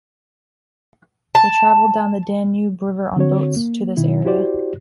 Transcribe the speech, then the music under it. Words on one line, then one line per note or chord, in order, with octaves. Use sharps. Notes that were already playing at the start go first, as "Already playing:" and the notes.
They traveled down the Danube River on boats to this area.
A5
D3 C4 F#4 C#5
A#3
B2 D#3 E4
E4 F#4 G4 C5 D5